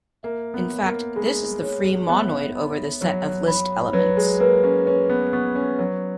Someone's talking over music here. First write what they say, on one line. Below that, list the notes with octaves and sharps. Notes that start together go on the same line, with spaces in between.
In fact, this is the free monoid over the set of list elements.
A#3 E5
B3
C#5
A#3
G#3 B5
C#5
B3 E5
B5
F#3 C#5
B5
F#3 B4
G#3
A#3 B4
C#4
C#4 B4
B3
B3 C#6
C#4
F#3 B4